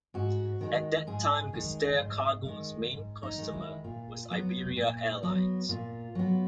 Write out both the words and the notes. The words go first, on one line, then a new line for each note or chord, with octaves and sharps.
At that time Gestair Cargo's main customer was Iberia Airlines.
G#2 F#4
D#3 G#3
G#2 G#4
D#3 G#3
G#2
D#3 G#3
G#2
D#4
D#3 G#3
E4
A#2 F4
F#3 B3
A#2
F#3 B3
A#2 F4
F#3 B3